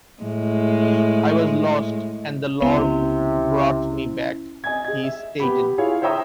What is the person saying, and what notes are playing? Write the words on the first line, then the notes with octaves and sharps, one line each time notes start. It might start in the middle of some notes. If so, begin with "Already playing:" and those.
"I was lost and The Lord brought me back", he stated.
A2 G#3
C#2 C3 B3 C#4 E4
D#5 G#5 G#6
G#4 G#6
E5
B3 G4 B5
E4 F4 G#4 C#5 F5
C5 C#5 E5 G5 A#5 D#6